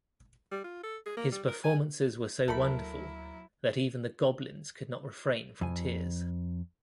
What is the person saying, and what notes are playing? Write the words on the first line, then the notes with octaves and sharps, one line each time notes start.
His performances were so wonderful that even the goblins could not refrain from tears.
G3
F4
A4
G#4
A#3
G3
A#4
G#5
D2 F#3 A3 A#3 E4 A4 A#4 B5
F2 G#5